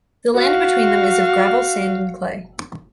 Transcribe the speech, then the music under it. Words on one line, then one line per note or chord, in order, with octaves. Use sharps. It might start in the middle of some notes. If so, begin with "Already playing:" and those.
The land between them is of gravel, sand and clay.
F#4 F5